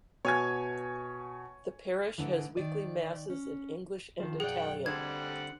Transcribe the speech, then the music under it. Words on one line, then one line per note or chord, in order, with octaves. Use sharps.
The parish has weekly masses in English and Italian.
B2 C#5 G#5 G#6
G#2 B2 D3 E3
D#3 D5
C#4
D#3 F3
B1 F#2 G#4 D5 F#5 G5
D3 G3 C4 D4 A4 F#5 G#6